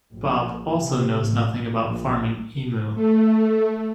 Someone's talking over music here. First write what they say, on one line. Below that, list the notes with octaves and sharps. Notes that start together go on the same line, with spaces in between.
Bob also knows nothing about farming "emu".
A#1
C3
A1
A#1
A3